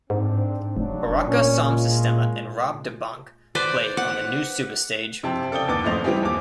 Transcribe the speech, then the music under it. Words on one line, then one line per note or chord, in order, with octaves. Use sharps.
Buraka Som Sistema and Rob Da Bank played on the new Suba Stage.
G#2 C4 D4
F1 C#3 F#3 D4
A#2 C#4
G#3 F4
B4 C5 D5
F#5
F2 C3 G5 A5
C#3 A4 D5 G5 D#6 G7
D#2 B3 D6 A6
A1 F2 A3 C5 D#5 F7
G3 B3 C4 E4 G4 G#4
D#2 D6